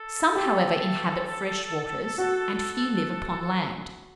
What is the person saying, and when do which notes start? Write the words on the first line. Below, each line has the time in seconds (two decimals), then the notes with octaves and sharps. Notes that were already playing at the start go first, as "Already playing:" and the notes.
Some, however, inhabit fresh waters, and a few live upon land.
Already playing: A4
0.35 G4 A4
2.18 F#4